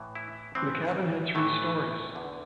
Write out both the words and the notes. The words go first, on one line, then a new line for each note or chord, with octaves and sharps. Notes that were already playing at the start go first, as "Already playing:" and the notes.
The cabin had three stories.
Already playing: A2 E3
E4
A2 E3 C4
A2 E3 A3
E2 D3